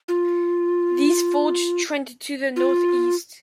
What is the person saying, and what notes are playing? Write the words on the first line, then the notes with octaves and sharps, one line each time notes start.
These folds trend to the northeast.
F4
F4